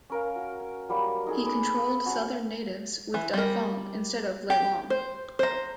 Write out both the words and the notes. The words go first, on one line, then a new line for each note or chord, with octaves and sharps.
He controlled southern natives with Daifang instead of Lelang.
C#4 A#4 F5
F#4
F#3 G3 A#3 C#6
D#4 G#4 A4
B4 D6 D#6
F#3 C#4 F#5
E3
G3 A#4
G4
C5
C5 A#5